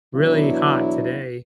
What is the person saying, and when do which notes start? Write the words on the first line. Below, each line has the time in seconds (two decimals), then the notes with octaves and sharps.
really hot today
0.15 E2 B2 F#3 B3 D4 E4